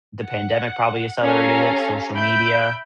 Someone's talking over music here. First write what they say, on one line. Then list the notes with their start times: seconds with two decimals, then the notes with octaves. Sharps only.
the pandemic probably accelerated it, social media,
0.24 F#5
1.22 C#4 G4 A4 F5 A#5
2.15 E5 B5 G6 D7